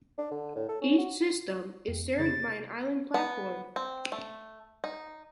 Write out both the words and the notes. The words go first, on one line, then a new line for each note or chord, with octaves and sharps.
Each system is served by an island platform.
D4
D3
A2
A4
C#4
F#4
F2
F2 C#3 E3 A6
C3
B3
C4
A3
D#4